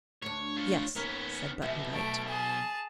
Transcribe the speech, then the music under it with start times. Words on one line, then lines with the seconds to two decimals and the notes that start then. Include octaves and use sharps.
"Yes," said Button-Bright.
0.22 D2 D4 C#5
0.57 F4 C#5
0.96 D#2 B3 C#4 A#4
1.62 B1 B2 E5
1.92 A3 D7
2.28 G#4 A5